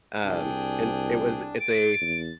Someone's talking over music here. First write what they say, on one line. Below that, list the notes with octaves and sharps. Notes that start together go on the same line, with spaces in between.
Um, and it was it's a
C2 D4 G#4 G5
A6 D7
E2